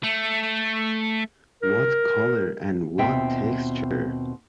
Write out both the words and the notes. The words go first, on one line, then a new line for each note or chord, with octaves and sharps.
What colour, and what texture!
A3
A#4
D#2 B2 C4 F4 E5 G5